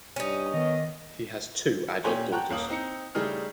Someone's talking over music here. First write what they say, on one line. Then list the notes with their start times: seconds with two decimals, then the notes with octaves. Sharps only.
He has two adult daughters.
0.16 G2 C#4 D#4
0.54 D#3 B3 D#5
2.04 A#2 C#4 G4 C#5 G#5 C6
2.32 F#5 G5 A5 A#5 C#6 F#6
2.50 D#1 A#3 C#4 F5 D#6 F#7
2.68 C4 D#4 C#7
3.15 C#3 G3 A3 D#4 G#4 F6